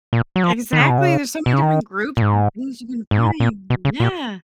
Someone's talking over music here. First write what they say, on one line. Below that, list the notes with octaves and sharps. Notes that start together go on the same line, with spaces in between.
Exactly, there's so many different groups and things you can find, yeah.
A#2
F#3
F3
D#3
C#3
B2
C#3
B2
C#3
D#3
A#2
G#2
G#2
A#2
G#2
A#2
B2
C#3
A#2